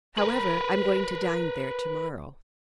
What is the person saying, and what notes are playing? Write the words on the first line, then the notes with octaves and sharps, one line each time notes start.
"However, I'm going to dine there to-morrow."
A#4 B4